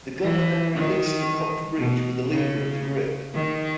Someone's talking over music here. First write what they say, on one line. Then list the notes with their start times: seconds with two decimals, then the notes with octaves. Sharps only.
The gunner then released the cocked breech with a lever at the grip.
0.23 E3
0.75 D#3
1.79 B2
2.31 C#3
3.35 D#3